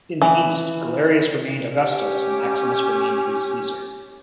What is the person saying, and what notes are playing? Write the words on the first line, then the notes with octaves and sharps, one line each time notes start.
In the East, Galerius remained Augustus and Maximinus remained his Caesar.
E3
C#4 G4